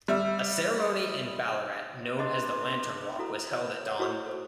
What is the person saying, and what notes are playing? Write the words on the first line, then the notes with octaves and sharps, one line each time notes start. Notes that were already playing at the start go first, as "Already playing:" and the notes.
A ceremony in Ballarat known as the lantern walk was held at dawn.
G3 E5
D4 B4 D#5 C6
E4 F#4 A4 A#5
C#5
C#5 F#5
E4 F#4 A4 C5 C#6
A4 C5